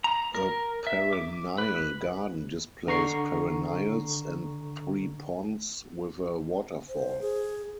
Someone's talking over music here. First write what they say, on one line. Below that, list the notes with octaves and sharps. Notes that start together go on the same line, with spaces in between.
A perennial garden displays perennials and three ponds, with a waterfall.
A#5
A#4
E5
D6
B4
D3 A#5 C#6 C7
C5
G#4